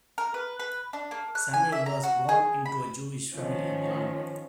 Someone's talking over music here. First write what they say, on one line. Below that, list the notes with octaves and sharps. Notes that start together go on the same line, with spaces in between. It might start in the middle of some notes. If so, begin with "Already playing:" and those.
Samuel was born into a Jewish family in London.
A#4
B4
B4
D4
A#3
F#6
G#5
E5
A#5
F#4
G#4
B5
D#3 F3 C#4